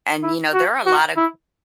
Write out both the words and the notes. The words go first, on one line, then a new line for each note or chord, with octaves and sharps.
and, you know, there are a lott g
E4
F#4
F#4
E4